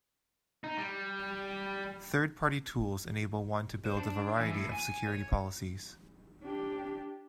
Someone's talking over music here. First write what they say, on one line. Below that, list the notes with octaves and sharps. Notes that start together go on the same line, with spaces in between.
Third-party tools enable one to build a variety of security policies.
D#4
G3
C5
D4
E3
A2
G#5
C#5
D4 G4